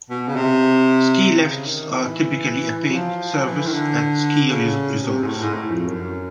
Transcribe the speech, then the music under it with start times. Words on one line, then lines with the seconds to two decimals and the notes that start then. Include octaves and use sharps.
Ski lifts are typically a paid service at ski resorts.
0.10 B2
0.28 C#3
0.36 C3
1.40 C#3
1.66 D#3
1.91 E3
2.90 F#3
2.95 F3
3.46 E3
3.67 D#3
3.73 D3
4.49 C#3
5.02 C3
5.23 G#2
5.27 A2
5.42 G#2
5.53 A2
5.71 F2
5.87 F#2